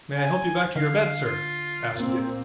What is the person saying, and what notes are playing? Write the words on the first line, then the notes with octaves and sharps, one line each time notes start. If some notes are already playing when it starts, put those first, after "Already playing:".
"May I help you back to your bed, sir?" asked Dick.
G#5
D3 F5
F4
A#2 A#3 C4